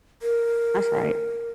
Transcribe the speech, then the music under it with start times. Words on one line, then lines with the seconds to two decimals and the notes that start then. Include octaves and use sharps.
That's right.
0.22 A#4